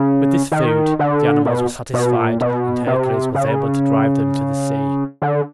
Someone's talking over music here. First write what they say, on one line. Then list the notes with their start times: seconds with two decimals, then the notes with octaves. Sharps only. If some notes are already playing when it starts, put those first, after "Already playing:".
With this food the animals were satisfied and Hercules was able to drive them to the sea.
Already playing: C#3
0.52 D#3
0.99 D3
1.45 B2
1.94 B2
2.16 A#2
2.41 B2
2.87 C3
3.35 C#3
5.22 D3